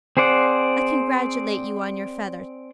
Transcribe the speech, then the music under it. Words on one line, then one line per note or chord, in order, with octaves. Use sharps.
I congratulate you on your feathers.
C4 G#4 C5 D5 F#5